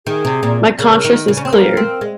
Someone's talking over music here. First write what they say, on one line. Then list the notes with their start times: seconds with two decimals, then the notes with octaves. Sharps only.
My conscious is clear.
0.06 D#3 G#4
0.25 C3
0.43 A#2
0.79 C#3 A#4
1.05 D#3
1.28 C#3
1.37 C#4
1.43 C4 C5
1.52 A#3 A#4
1.77 C4
2.01 G#3